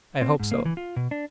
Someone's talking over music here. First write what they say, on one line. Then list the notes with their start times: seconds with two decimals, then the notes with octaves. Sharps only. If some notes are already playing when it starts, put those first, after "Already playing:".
"I hope so."
0.22 C4
0.40 G#2
0.52 A#3
0.65 E3
0.77 F4
0.96 B2
1.11 D4